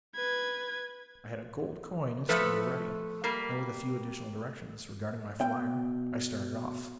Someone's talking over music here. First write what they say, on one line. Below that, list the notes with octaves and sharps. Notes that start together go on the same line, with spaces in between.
I had a gold coin instantly ready; and with a few additional directions regarding my flyer, I started off.
B4 G#6
F3 A3 A4 B4
G3 A#3
B2 G5